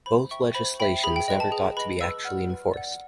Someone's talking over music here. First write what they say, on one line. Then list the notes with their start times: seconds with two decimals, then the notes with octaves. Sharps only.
Both legislations never got to be actually enforced.
0.06 C5 B5
0.31 E5 G5 C#6
0.55 C5 B5
0.80 E5 G5 B5
1.04 G#4 B5
1.16 G5
1.28 B4 D#5
1.40 A5
1.52 G#4
1.77 B4 D#5 B5
2.01 B4 E6
2.25 D5 F#5 F6
2.50 B4
2.74 D5 F#5